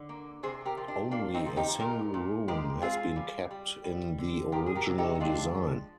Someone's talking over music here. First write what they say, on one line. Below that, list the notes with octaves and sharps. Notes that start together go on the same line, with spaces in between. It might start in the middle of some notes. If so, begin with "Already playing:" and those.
Only a single room has been kept in the original design.
Already playing: D3
A#3
C3 G#4 C5
G4 A#4
F3
D4
A#3 D4
C4 D#4
F3
D#4 G4
A#2 G4 A#4
A#2
G#3 G4 A#4
C4 F4 G#4
G3
G3
G3
D3
F3 G4 A#4
G#4
G4 A#4
C3
D#4 G4
D#4
G#3 D4 F4
F3